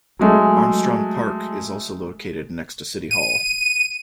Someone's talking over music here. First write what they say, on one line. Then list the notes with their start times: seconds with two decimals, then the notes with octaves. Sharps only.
Armstrong Park is also located next to City Hall.
0.19 F#3 G#3 A3
3.11 D#7